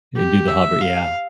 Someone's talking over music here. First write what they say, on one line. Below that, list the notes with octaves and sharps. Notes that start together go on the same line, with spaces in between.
And do the hover, yeah.
G4
E5
F5